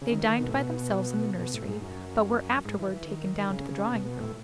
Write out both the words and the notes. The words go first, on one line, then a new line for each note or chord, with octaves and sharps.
They dined by themselves in the nursery, but were afterward taken down to the drawing-room.
C#3
D#3
D#3
B2
A2
B2
B2
A2
G#2
F#2
G#2
E3
E3
D#3
C#3
C#3
B2
B2
A2